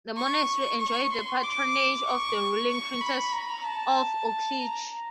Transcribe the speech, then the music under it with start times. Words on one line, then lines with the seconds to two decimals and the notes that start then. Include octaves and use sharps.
The monastery enjoyed the patronage of the ruling Princes of Uglich.
0.17 C#6
0.80 C#6
1.11 C6
1.43 D6
2.06 C#6
2.69 C#6
3.01 B5
3.32 A#5
3.64 A5
4.58 A#5